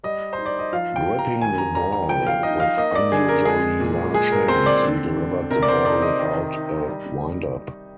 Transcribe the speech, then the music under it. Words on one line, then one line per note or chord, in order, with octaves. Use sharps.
Gripping the ball with unusually large hands, he delivered the ball without a windup.
G3 D#5
C5
D#4
D5
D#5
F3 F5
G5
F3
A#5
D#3 G#5
A#5
G3 A#5
A#5
F3 G5
F5
D#4 D#5
F5
A#3 D#5
D5
D3 G#4
A#4
G#3 G#4
A#2
G#3 G#4
A#4
C4 C5
D5
D3
D3
C3 A#4
D5
C5
D#4 D5
D#5
D#3
D#4
G3